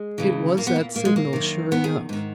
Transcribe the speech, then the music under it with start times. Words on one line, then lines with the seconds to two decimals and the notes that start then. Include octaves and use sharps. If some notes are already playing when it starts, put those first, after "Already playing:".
It was that signal, sure enough.
Already playing: G#3
0.18 E2 C#3 E3
0.57 A#2 A#3
0.67 B3
0.76 A#3
0.95 A#2 A#3
1.05 G#3
1.16 A#3
1.33 F#2 D#3
1.71 E2 D#3 B3
1.84 G#4
2.09 G#2 D#3